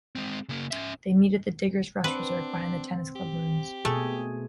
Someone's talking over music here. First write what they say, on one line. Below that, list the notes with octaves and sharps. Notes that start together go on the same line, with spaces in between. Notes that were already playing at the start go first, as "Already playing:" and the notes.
They meet at the Diggers Rest Reserve behind the tennis club rooms.
G#3 C4
C#3 A#3
C#4 E5
C4 D4 B4 F#5
G4
B2 A3 G#4